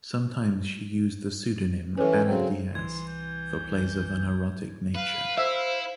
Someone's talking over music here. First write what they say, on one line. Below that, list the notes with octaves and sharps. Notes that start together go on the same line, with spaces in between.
Sometimes she used the pseudonym Ana Díaz for plays of an erotic nature.
E3 C#4 A4 B4
A4
C#3 F#3 C4
C2 E3 C6 G#6
G6
B4 F5
E4 C5 E5